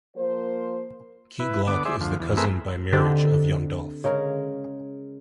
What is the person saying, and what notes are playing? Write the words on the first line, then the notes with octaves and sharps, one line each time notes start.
Key Glock is the cousin by marriage of Young Dolph.
F3 A#3 A#4 C5
E4 B4
D3 B3 D6
G#4 C5 D5 E5
D2 F3
E2
A3 C4 G#4 A#4 B4 E5
D3 C4 D#4 G4
C#3 G#3 A#4